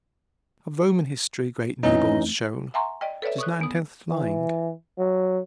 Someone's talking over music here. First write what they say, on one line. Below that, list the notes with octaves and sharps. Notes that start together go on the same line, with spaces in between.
Of Roman history, great Niebuhr's shown 'Tis nine-tenths lying.
F2 E3 A3 C#4 D#4 D#5
E5 F#5 G#5 A#5 C6 C#6
D5 D#5 G5
A4 B4 C#5 D5 E5
C#6 D#6 F#6
E2 B3 D#6
E3
F#3